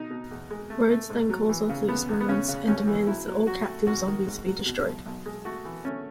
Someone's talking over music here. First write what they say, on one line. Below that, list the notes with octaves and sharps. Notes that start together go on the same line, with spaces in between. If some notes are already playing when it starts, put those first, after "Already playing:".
Rhodes then calls off the experiments and demands that all captive zombies be destroyed.
Already playing: B2 D#4
B2
E2
G#3
A3
A3
G#2
F#3
E3
C#3
E2 B3
E2
B3
C#3 C#4
C#3
D#2 C#4
E3
F#3 E4
F#3
F#3 F#4
A3
G#2 F#4
D#3
G#2
F#3
B2
B1
B1
G#3
A3 F#4
E3
A3 C#4